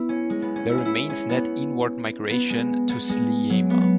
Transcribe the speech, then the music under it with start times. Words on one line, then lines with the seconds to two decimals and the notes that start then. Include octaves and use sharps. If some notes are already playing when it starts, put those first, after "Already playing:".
There remains net inward migration to Sliema.
Already playing: B3 E4
0.09 C#4
0.30 G#3
0.42 B3
0.56 C#4
0.69 E4
0.78 C#4
0.85 E4
1.10 C#4
1.29 B3
2.30 B3
2.50 G#3
2.89 B3
3.09 G#3
3.50 F#3
3.70 B3
3.81 B3